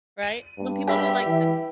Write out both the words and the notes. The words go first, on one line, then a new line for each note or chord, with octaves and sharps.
right? When people do, like, the
D#7
G2
G4 E5 B5
E3